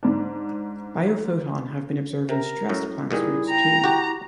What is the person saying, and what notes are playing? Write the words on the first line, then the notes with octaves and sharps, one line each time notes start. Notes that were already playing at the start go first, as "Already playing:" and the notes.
Biophoton have been observed in stressed plant's roots, too.
G#2 D4
C3 A#4
F#2 A2
G2 A#2 D#3 E4 G#4
G5 A#5
F#4 G4